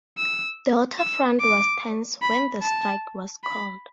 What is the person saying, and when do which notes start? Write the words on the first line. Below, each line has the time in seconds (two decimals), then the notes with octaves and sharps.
The waterfront was tense when the strike was called.
0.18 E6
0.99 E6
1.40 D6
2.22 B5
2.62 A5
3.44 B5